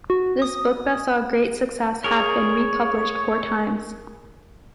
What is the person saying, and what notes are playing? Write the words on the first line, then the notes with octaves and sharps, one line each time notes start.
This book that saw great success had been republished four times.
F#4
D#6
G#4 A#4 C#5